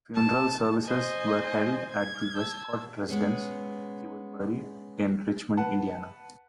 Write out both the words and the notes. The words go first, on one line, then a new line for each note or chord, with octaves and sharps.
Funeral services were held at the Westcott residence; he was buried in Richmond, Indiana.
A5
C5 D#5 G#5
G#6
A5 E6
G#3 B3 C#4 G#4
B4 F#5 A5